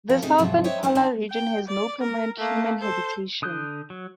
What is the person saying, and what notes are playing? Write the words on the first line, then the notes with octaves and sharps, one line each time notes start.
The southern polar region has no permanent human habitation.
F3 B3 C#4 A#4
A2 C3 D#4 G4 G#4
F2 G#2 C3 F3 F#3
F#3 C5 C#5 D#5 E5 G5
G#3 B3 C4 D#4
D#3 C#4 D#4 C5 D5 A5
G5
D5
A#4
A3 A#3
A4 C5
D3 D#6 F#6 G6
F#3